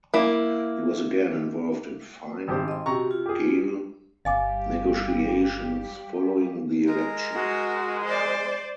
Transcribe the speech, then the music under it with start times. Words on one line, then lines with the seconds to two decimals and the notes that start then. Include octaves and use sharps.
He was again involved in Fine Gael negotiations following the election.
0.14 A#3 E4
2.48 G#1 G4 C5
2.68 D#5 C6
2.86 C3 F#4 G4 A#5 C#6
3.11 F4
3.26 G4 G#4
4.25 G1 G3 G4 D#5 F5 G#5 D6
6.86 G#3 A#4
7.34 G#3 F#4
8.05 C5 D5